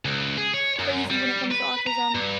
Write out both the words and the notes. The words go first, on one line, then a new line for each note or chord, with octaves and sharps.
crazy when it comes to autism.
C#2
G#4
C#5
F#2
G3
B4
A#5
G2